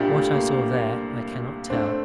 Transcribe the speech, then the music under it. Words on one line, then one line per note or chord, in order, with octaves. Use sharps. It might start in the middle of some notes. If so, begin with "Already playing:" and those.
What I saw there, I cannot tell.
Already playing: C2 A#2 G3 D4 G4
A3
A#3
A#3
A2 A3 C4 D4